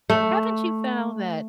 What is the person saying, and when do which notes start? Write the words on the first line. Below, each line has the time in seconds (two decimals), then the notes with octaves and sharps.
haven't you found that,
0.10 A3